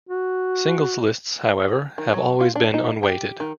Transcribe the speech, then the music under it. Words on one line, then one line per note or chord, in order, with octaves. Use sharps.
Singles lists, however, have always been unweighted.
F#4
D#3
F#3
F4
D4
D#4
G4
D#3